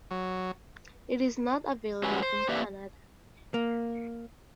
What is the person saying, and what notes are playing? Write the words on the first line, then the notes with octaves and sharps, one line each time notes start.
It is not available in Canada.
F#3
F#2 F#3 G#3 B4
C5
A#3 G4 B4 D5 E5
A#3